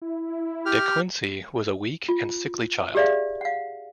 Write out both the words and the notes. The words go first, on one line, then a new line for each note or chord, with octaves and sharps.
De Quincey was a weak and sickly child.
E4
G4 F6
F4
G4 G#4 D5 E5 F5
F5 F#5